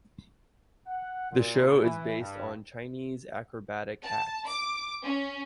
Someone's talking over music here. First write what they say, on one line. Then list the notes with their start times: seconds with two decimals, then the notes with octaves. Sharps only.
The show is based on Chinese acrobatic acts.
0.87 F#5
1.32 A#2
1.81 E3
2.18 G2
4.02 A5
4.46 D6
5.03 C#4